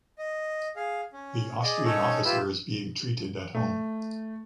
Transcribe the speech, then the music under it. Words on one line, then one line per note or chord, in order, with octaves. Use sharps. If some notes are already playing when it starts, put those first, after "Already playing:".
The Austrian officer is being treated at home.
D#5
G#4 F5
C#4
G#4 D5 D#5
C#4 D#4 A4 C#5
E4 F4 G4 B4 E6
A3